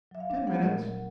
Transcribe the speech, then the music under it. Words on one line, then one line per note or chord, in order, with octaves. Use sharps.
"Ten minutes."
F#3 E5
F5
D4
B3 F#5
A#2
F#3